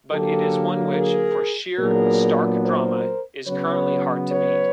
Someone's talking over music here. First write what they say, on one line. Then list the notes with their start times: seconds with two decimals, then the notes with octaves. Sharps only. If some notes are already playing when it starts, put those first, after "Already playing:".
But it is one which, for sheer, stark drama, is currently hard to beat.
0.12 D3 F#3 A#3 G4 A4
0.95 G#4 A#4
1.79 A#2 F#3 B3 D4 G#4 A#4
2.63 A#4 C5
3.46 C#3 F#3 B3 B4 C#5
4.30 B4 C#5